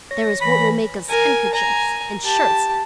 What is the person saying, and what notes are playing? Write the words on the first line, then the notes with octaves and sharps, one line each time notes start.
There is what will make us handkerchiefs and shirts!
C#5 A#6
E3 B5
A#4 G#5
G#5 A#5
G4 A5